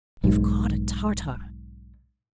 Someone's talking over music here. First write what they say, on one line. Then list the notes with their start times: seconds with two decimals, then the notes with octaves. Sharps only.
'You've caught a Tartar.'
0.24 B1 G#2